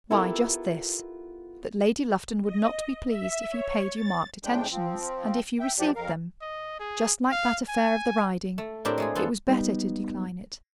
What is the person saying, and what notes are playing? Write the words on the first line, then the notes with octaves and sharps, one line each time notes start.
"Why, just this: that Lady Lufton would not be pleased if he paid you marked attentions, and if you received them;--just like that affair of the riding; it was better to decline it."
B3 E4 F4 G4 A4 A#4
D#5
E5
C#5
A6
F2 A2 G#3 D4 G5
F3 C4
E5 G5
F#2 F3 D4 G4 D5
F2 A#4 F5
D#5
G#4
F5
G#5
A3
A2 C4 D4 G4 A#4
G#3 A3 G#4
B3 F4 A4
G3 B3 D#4